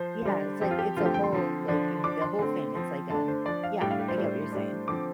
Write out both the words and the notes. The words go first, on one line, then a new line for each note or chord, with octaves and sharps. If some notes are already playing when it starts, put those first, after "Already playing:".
Yeah, it's, like, it's a whole, like, eve the whole thing, it's like a yeah, I get what you're saying.
Already playing: F3 C5
D3 G3 D4
F3 C4 G4
F4
G4
D3 F3 A3 C4 F4
G4
G5
C6
D3 F3 C4
D3 F3 D4
F3 D4 D6
C6
D3 A3 C4
F3 C4
D3 A3 D4 A5
C5
F3 D4 D5
F5
A2 G3 D4 G5
F5
G4
C5
A2 G3 D4
A2 G3 D4
D3 F3 C4 D6